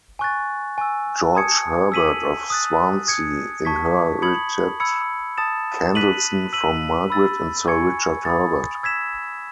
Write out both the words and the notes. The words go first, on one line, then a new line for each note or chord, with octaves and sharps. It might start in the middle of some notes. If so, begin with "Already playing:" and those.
George Herbert of Swansea inherited Candleston from Margaret and Sir Richard Herbert.
G#5 C#6 F#6 A6
G#5 C#6 E6
A5 D#6 G#6 C#7
E6 B6 D#7 F#7
D#6 F#6 A6
D#6 G#6 C#7
A5 C#6 G#6 B6
B5 D#6 G#6 C#7 F#7
B5 E6 G#6 C#7
A5 D#6 A6 E7
F#6 B6 D#7 F#7
E6 B6 D#7 F#7
B5 E6 A6
G#5 C#6 G#6 C#7
B5 D#6 A6
E6 G#6 B6 E7